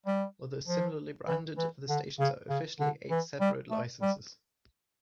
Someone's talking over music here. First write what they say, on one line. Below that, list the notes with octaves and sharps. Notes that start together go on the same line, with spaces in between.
Although similarly branded, the stations are officially eight separate licenses.
G3
F3
E3
E3
D3
C#3
C#3
D3
E3
G3
A3
G3